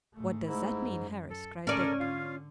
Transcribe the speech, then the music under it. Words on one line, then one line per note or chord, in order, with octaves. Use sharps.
"What does that mean, Harris?" cried Dick.
G#2 A3
G#2 A3 E4
F#2
A4
G#2 C#3 C#4 A4 A#4 D5
D3 F4 F5